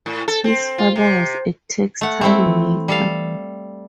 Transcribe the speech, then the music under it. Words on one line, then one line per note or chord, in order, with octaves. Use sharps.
His father was a textile maker.
A2
A4
C4
F4
C3
A3 F#5
G#3 A3 C4 E4
E3
G3 A4 F5